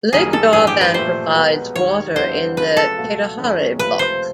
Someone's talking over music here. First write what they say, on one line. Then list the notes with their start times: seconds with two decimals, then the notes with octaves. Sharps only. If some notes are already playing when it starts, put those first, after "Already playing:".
Lake Darvan provides water in the Katehari block.
0.12 F#1 F#2 D#3 G3 A#3 G#4
0.33 A4
0.53 A1 G2 E3 G#4
0.67 G4
0.81 B4
0.94 A#2 F3 A3 C5
1.35 B1 B2 G#3 B3
1.75 E1 D#2 D#3 G3 C#5
2.16 F2 D3 G3 B3 E4 C5
2.57 C#3 F#3 A3 C#4 F4 B4
2.77 A4
2.98 C#2 B2 F#3 A3
3.38 F#2 D#3 G#3 C#4
3.79 C#2 C3 F3 A3 B4
3.99 C5